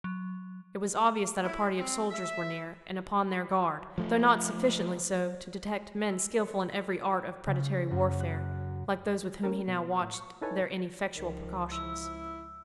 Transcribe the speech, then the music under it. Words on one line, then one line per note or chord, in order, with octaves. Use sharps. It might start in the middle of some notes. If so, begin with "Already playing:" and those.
It was obvious that a party of soldiers were near, and upon their guard, though not sufficiently so to detect men skilful in every art of predatory warfare, like those with whom he now watched their ineffectual precautions.
F#3
E4
C4
E5
F3 A3
E6
C#5
C#3
F#2
F#6
A3 C#4 A#4
B2
A2
C#6
D#4 E4 A4 B4 C#5 G#5
C#2 D#3 F3
E4 E6